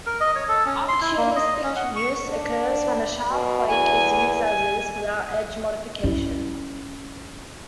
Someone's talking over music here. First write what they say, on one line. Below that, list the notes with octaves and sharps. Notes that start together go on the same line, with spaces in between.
Opportunistic use occurs when a sharp flake is used as-is, without edge-modification.
A#4
D#5
C#5
A4
C#4
C6
E4
A#3
D#5
C#4
F#5
C#6
D4
B2
E2 G#5
G#5
C#4 E4